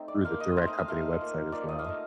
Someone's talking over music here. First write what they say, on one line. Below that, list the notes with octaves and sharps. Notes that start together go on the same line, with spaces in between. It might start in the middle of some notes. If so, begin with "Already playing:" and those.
through the direct company website as well.
Already playing: A3 C4 D#4
D5
A#3 F4 F5
D#5
A3 C4 D#4 C5
D#5
F5
A3 D#4 F5
A#3 F4
F3 A#3 D#4 D5
D#5
F5
A3 D#4 D#5